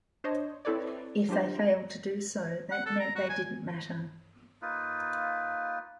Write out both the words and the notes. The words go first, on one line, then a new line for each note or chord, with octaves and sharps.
If they failed to do so, that meant they didn't matter.
D4 C5 C#5 D#5
C4 E4 A4 B4 C#5 D5
F#3 D4 F4 G4 C5
F#5
A4
A#5
F#4
G#5
A#3 D#4 F4 B4